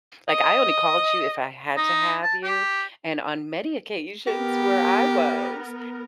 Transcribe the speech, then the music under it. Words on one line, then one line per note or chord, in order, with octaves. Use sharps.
Like, I only called you if I had to have you, and on many occasions where I was,
D#5
D#4
A5
G4
B3 G4 A#4